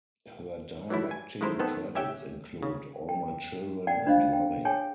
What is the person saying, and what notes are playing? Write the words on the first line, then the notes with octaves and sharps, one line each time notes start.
Her directing credits include "All My Children" and "Loving".
D#3 E3 F#3 A3 E4
G#5
D#3 G#3 A3 E4 A#4 C5
D#3 B3 C4 A4 D#5
C#4 G4 E5 F#5 G5
C#3
G5
D5 F#5 G5
D4 F4 C5 D#5 F5
G5
G#4 C#5 G5 G#5